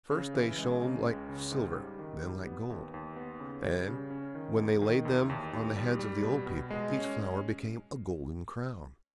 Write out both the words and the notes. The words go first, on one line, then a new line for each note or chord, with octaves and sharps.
First, they shone like silver, then like gold; and when they laid them on the heads of the old people, each flower became a golden crown.
C#3
E3
G#3
C#3
C#2
C#3
G#2
G3
D#3
G3
B3
D#2
D#2
B3
C#3
G3
C#3
C#4
D#3
E2
D#3
E2
D#2
D#2
G3
G3
B2
B2
G#3
C#4